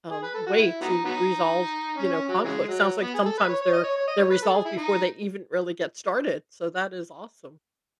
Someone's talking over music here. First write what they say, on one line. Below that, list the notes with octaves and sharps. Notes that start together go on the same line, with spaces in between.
um, way to resolve, you know, conflict. Sounds like sometimes they're they're resolved before they even really get started, so that is awesome.
G#4
B4
A4
F#4
E4
F#3 B3 D#4
F#3 B3 D#4
C#4
C#4
F#3
C#3 E3 G#3
F#3
B3
G#4
A4
B4
C#5
C#5
D#5
C#5
C#5
D#5
C#5
B4
A4
G#4
E4
D#4